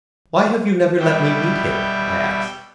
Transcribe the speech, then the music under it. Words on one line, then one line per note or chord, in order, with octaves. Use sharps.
"Why have you never let me meet him?" I asked.
B2 G3 E5 G5